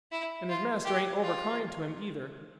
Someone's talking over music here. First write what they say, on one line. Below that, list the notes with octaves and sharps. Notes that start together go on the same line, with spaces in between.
And his master ain't over kind to him either.
E4
F4
G4
F4